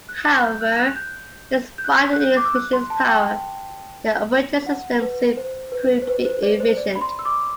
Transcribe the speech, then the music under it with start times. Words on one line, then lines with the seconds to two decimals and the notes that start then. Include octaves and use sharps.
However, despite the new machines' power, their operating system soon proved to be inefficient.
0.09 F#6
0.44 G6
0.61 F#6
0.79 F#6
0.96 G6
1.78 G6
1.84 F#6
2.13 F#6
2.20 G6
2.37 D6
2.45 E6
2.55 F#6
2.73 C6
2.90 A5
3.08 G5
4.66 F#5
5.01 B4
5.37 C5
5.72 B4
6.02 C5
6.08 B4
6.25 C5
6.43 D5
6.60 C5
6.77 D5
6.95 B5
7.01 C6
7.19 E6
7.25 D6